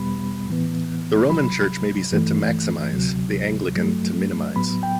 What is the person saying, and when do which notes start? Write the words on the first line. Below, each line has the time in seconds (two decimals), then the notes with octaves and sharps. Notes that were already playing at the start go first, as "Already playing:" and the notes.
The Roman Church may be said to maximise, the Anglican to minimise.
Already playing: E2 B2 G3 B3 B5
0.48 A2 E3 B3
1.30 C2 C3 F#3 B5
2.11 G2 E3 A3
2.93 D2 C3 F#3
3.75 G2 F#3 A3
4.56 A2 F#3 B3 B5
4.83 G5